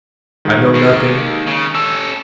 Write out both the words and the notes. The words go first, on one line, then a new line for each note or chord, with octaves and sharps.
I know nothing.
D#3 G#3
D#2
C#3
C#4 A4 E6